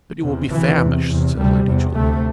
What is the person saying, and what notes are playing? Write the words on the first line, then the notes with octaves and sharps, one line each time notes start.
"But you will be famished," said Lady Julia.
E2 C3
D2 C3 E3
E2 C3
E2 C3
D2 C3 G3
E2 C3
D2 C3 A3